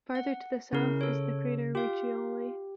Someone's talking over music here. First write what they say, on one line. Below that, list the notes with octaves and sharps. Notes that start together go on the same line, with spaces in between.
Farther to the south is the crater Riccioli.
F#5
C#3 C#4 E4 A#4
A4 C#5
F4 G4 F5